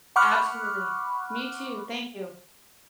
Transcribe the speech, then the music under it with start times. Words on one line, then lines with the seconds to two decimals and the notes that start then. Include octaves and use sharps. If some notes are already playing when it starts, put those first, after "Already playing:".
Absolutely. Me too, thank you.
0.16 F#5 B5 C#6 D6 F6 F#6